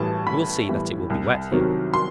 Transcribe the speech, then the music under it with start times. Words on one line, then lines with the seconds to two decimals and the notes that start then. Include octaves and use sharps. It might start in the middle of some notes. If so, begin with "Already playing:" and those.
You will see that it will be wet here!
Already playing: A1 A2 E3 G3 A5
0.27 A1 B5
0.68 A2 E3 G3
1.10 C2
1.52 C3 D#3 F#3
1.94 C6